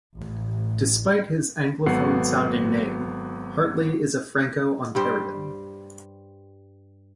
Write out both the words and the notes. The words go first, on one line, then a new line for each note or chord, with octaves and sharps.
Despite his anglophone-sounding name, Hartley is a Franco-Ontarian.
A1
G#1 F#3 B3 A4 F#5 C7
G2 G3 G4 C5